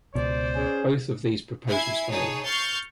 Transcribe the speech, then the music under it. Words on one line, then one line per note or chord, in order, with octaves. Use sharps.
Both of these proposals failed.
C#2 B2 C5 D5
C#4 G#4
E4 E5 G#5 G#6 C7
D#4 G#4 C#5 G#5 A5
C#6 F6 G6 A6 C7